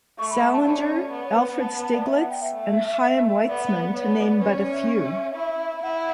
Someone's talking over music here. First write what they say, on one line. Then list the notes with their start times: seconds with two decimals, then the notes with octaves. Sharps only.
Salinger, Alfred Stieglitz, and Chaim Weizmann, to name but a few.
0.18 A3 C#6
0.30 B5
0.41 A5
0.53 A5
0.65 C#4 D5
1.12 B3
1.24 C#5
1.36 B4
1.59 A5
1.83 A5
1.94 D5
2.05 E5
2.18 F#5
2.30 G5
2.41 E5
2.53 A3
3.47 B3 D5
3.63 D5
3.78 B4
3.94 B3 C#5
4.18 D5
4.41 C#4 B4
4.49 C#5
4.57 D5
4.72 E5
5.35 E4
5.75 E5
5.83 E4 F#5